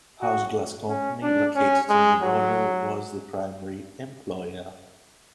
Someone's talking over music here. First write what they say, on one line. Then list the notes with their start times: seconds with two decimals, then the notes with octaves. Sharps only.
Houze Glass Company, located in the borough, was the primary employer.
0.22 F#4
0.89 C#4
1.22 D4
1.56 C#4
1.90 G#3
2.23 F#3